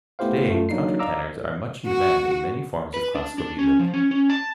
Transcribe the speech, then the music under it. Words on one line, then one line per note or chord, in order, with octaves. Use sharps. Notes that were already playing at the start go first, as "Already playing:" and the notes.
Today, countertenors are much in demand in many forms of classical music.
A3 B3 E4 G4 C5 F5
F#2 A3 F4
F#3 A#3 D4 D#4 C7
D5 D#5 F5 A#5 D6 E6
F#4
B4
D4
D4
C#4
F3
C#4
C#4
A5